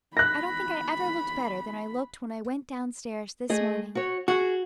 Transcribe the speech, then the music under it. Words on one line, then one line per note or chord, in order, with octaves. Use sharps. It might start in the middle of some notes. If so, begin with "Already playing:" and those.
I don't think I ever looked better than I looked when I went downstairs this morning.
B5 F#6 A#6
A3 G#4 D#5
F#4 C#5
F#4 G#4